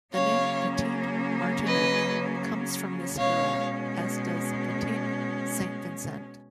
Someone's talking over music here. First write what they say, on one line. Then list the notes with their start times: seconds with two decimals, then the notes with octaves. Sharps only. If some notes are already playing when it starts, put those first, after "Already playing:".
The name "Petit Martinique" comes from this era, as does Petit Saint Vincent.
0.14 C#3 F#3 A#3 C#4 C#5 F5
1.66 B4 D#5
3.18 B2 G#3 C#4 C#5 F5